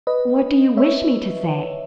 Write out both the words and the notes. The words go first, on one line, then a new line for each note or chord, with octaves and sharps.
"What do you wish me to say?"
B4 D#5
C#5 E5